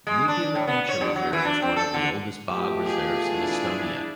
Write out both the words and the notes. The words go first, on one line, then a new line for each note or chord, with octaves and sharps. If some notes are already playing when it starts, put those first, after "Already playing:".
Nigula nature reserve is one of the oldest bog reserves in Estonia.
G#3
D4
A2
B3
C#5
G2
F#3
E3
D4
C4
A4
D3
B2 A3 F4 G4
G#4
D4 E4